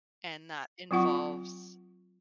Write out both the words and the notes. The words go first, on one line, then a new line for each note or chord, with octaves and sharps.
and that involves
F#3 C4 F4 F#5 C#6